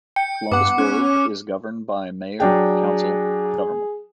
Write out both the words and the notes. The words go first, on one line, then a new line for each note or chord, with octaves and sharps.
Columbus Grove is governed by a mayor-council government.
G5 C#7
G2 B3 F#5 D6
C#4 F#6
F#3 D4 G#4 G5